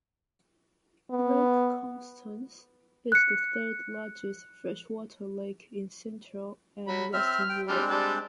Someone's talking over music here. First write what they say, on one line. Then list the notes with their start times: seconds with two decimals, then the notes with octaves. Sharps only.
Lake Constance is the third largest freshwater lake in Central and Western Europe.
1.11 B3
3.12 F#6 C#7
6.88 F#3 B5
7.14 C4 E5 F6
7.49 G5
7.69 G3 G#3 C4 D4 F6
7.90 G3 A5